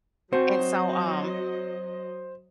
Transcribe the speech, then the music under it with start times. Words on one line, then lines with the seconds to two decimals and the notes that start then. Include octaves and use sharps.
and so, um
0.33 F#3 C4 F#4 C5 D#5